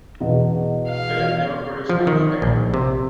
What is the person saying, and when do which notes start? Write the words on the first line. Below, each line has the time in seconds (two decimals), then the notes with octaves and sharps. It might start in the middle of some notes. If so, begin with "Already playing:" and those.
Philip never produced another heir.
0.20 E2 B2
0.88 F5
1.89 F3
2.07 D#3
2.42 A#1
2.74 C3